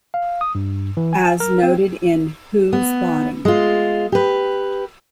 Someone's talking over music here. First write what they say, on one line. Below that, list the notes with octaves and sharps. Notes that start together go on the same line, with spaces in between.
As noted in Whose Body?
F5
D#6
G2
E3
G#5
A#4
C4
B3
G#3 F4
G4 B4